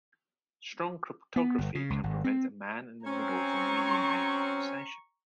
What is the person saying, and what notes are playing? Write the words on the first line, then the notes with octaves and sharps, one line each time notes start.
Strong cryptography can prevent a man in the middle from reading a conversation.
B3
G1
C#3
C#2
G#1
C4
F#3 C4 C#4 A#5 C#6